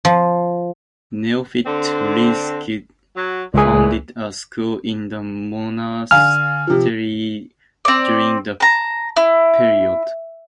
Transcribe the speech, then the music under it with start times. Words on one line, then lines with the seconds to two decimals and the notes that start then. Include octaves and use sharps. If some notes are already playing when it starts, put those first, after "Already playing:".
Neofit Rilski founded a school in the monastery during the period.
0.05 F3
1.65 D3 C4
3.16 F#3
3.54 C#2 A#2 E3 G#4
6.11 D3 F5 G#5 F6
6.67 C3 F3
7.85 C4 D5
8.60 A5 A#5
9.16 E4